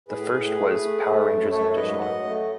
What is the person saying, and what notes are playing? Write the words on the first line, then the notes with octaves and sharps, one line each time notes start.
The first was "Power Rangers Ninja Storm".
A2 G#4 B4
A2
A3
A3
A3
F#2
A3 A4 C#5
G#2 B4 D#5
F#3 D#5 F#5
A3